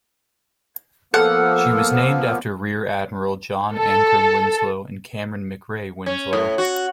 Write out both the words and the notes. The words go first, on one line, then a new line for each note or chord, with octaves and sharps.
She was named after Rear Admiral John Ancrum Winslow and Cameron McRae Winslow.
F3 A#3 B3 A4 F#5 E6 F6
A4
C#4
A2
F#4